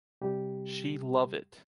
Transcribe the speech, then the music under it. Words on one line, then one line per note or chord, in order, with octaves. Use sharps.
She love it.
C3 G3 G4